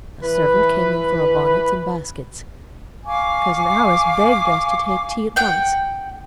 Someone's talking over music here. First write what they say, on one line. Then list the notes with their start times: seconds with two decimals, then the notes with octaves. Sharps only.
A servant came in for our bonnets and baskets. Cousin Alice begged us to take tea at once.
0.23 E3 B4
3.05 F5 G#5 C#6 D6
5.36 F#5 G5